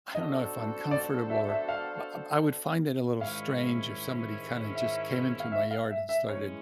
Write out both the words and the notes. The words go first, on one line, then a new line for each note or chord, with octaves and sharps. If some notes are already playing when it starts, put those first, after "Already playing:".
I don't know if uncomfortable, or but, uh, I would find it a little strange if somebody kinda just came into my yard and started
B3 D4 F#4 A4 C5 D#5
D5
E5
E5
F5
G#2 D#3 G#3 C#4 E4 F5
E5
F5
E5
F5
E5
E5
E3 G#3 C#4 C#5